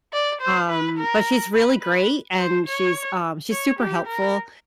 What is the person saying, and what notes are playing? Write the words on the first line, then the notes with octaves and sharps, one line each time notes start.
Um, but she's really great, and she's, uh, she's super helpful.
D5
C5
B4
A#4
B4
B4
C5
C#5
C#5
G4
A#4